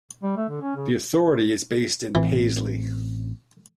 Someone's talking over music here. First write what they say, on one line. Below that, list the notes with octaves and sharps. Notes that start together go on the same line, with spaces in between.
The Authority is based in Paisley.
G3
A3
D3
C#4
C#3
A1 A2 E3 C4